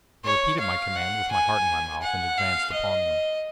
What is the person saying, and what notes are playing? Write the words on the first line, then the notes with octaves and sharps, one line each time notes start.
I repeated my command, with my heart in my mouth, and advanced upon them.
C#5
F5
F#5
G#5
F#5
F5
D#5